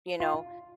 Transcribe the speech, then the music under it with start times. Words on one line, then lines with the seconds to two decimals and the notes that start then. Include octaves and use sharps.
You know?
0.20 F4